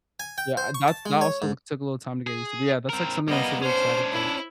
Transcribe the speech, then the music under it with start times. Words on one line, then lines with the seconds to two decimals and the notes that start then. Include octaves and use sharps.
Yeah, that's that also took a little time to get used to, but, yeah, that's, like, something I'm super excited for.
0.20 G#5
0.38 G5
0.57 C5
0.74 C#6
0.88 A5
1.06 G#3
1.21 C#5
1.42 G#2
2.27 G#4
2.89 C4 A#4
3.28 G3 A#3 B3 D#5
3.62 C#4 D4 C5
4.12 E4